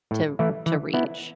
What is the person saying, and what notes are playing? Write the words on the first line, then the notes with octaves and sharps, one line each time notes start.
to to reach."
A2
E3 A3 E4
E3
B3 E4